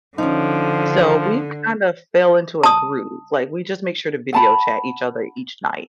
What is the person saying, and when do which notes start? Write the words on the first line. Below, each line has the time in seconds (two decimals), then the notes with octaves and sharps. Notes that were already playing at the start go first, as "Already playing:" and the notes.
So we've kind of fell into a groove, like, we just make sure to video chat each other each night.
0.18 D3 F3 C#4 D#4
2.63 A5 D#6
4.33 F#5 A5 B5